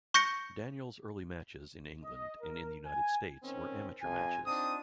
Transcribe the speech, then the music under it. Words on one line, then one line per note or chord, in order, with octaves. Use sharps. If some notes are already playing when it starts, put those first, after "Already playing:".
Daniels early matches in England and in the United States were amateur matches.
C#6 G6 A#6 C#7
D#5
A#4
G#5
D#3 C4 C#4
F2 G#5
C4 D4 D#4 F4 D#6